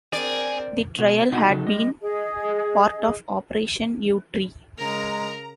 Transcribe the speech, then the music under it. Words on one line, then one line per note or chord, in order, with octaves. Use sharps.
The trial had been part of Operation Yewtree.
C4 G#4 A#4 D5
B2
B2 D#4 F#4
C#3 F#3 D#4 A4
G3 D#5
G#4 D#5
C#3 G#3 A#4 A#5